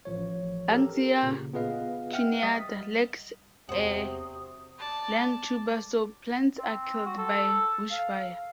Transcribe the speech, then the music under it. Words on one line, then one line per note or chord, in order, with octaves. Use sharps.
"Banksia cuneata" lacks a lignotuber, so plants are killed by bushfire.
A1 F3 C#5
G4 A4 A#4
A#2 C#3
B3 F4 G#4 B4 D#5 F5
E5 F#5 G5 F6
G3 D#5 D#6 A6 B6
E2 C3 F#4 C5 D#6
D5 A5
C4
F#4
A4
F5